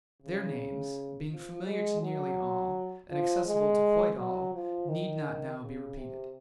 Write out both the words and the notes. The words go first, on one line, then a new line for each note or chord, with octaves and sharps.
Their names, being familiar to nearly all, and accessible to quite all, need not now be repeated.
C#3
F3
G#3
F#3
F3
G#3
F#3
F3
D#3
C#3
C3